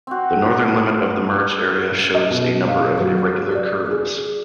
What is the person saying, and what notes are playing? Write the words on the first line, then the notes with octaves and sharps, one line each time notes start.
The northern limit of the merged area shows a number of irregular curves.
C4 F#4
D#5
B2
F5
F#3
F#4
D5
G#4